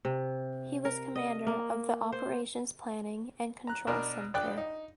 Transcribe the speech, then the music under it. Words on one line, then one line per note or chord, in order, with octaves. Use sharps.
He was commander of the Operations Planning and Control Center.
C3
A#4
D#5
A#3
C5
A#5 F#6
B2 D4 A#4
A#1 D5 G5 F#6
D#4